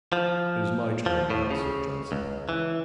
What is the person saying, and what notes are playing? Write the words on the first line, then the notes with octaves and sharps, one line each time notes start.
"It is my turn now," said Johnson.
F3
F3
A2
C#3
C#2
E3